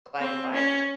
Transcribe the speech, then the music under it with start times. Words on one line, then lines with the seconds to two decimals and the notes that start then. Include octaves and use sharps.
by the Bible.
0.20 C4
0.53 C#4